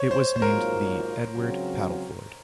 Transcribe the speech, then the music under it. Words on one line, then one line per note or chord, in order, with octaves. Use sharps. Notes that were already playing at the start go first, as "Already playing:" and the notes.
It was named the "Edward Padelford".
Already playing: C5 C#5
C5
C5
G#1 G#2 F#3 A#3 F4 A#4
C#2 C#3 F#3 C4